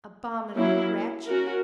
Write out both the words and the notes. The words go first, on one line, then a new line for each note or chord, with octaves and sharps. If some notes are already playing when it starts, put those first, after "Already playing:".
Abominable wretch!
F#3 A#3 C#4 E4
C#4 F#4 A#4